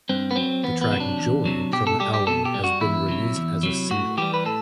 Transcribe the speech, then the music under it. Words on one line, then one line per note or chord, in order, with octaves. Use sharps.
The track "Joy" from the album has been released as a single.
G2 C4
B3
F#3 C4
E2 B3
B3
C3 F#3
D4
E2
C3 F#3
B2 G4
A4
G3 G4
G4
B2 A4
G4
G3
F#4
E2 E4
C3 F#3
E2
C3 F#3
A2 F#4
E3 G3 G4
B4
A2 A4